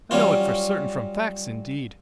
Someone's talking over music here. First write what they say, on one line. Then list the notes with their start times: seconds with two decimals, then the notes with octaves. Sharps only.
I know it for certain from facts, indeed.
0.11 F#3 G3 C#4 F4